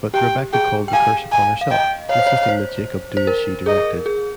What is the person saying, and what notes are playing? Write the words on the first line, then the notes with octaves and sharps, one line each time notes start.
But Rebekah called the curse upon herself, insisting that Jacob do as she directed.
G4 G5
G#4 G5
G5
F5 G#5
G#5
F5
D#5 G5
C#5 F5
C5
C#5
C5
C5
A#4
G#4 D#5
G#4